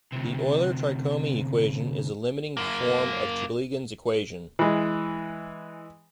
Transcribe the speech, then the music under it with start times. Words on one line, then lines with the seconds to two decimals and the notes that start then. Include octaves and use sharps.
The Euler-Tricomi equation is a limiting form of Chaplygin's equation.
0.13 D2 C3
2.57 F#2 A#3
4.59 E3 G#3